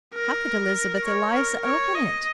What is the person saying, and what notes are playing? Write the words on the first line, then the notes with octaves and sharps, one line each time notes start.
How could Elizabeth Eliza open it?
A#4
C#5
A#4
C#5
D#5